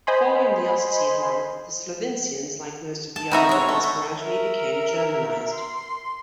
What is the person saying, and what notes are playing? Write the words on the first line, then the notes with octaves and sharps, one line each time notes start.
Following the Ostsiedlung, the Slovincians like most of the other Wends gradually became Germanized.
C5 D#5 G#5 B5 C6
A5
B3 C4 D#4 F#4 E5 A#5
G#3 C#5
A3
A3
A#4 E5
C6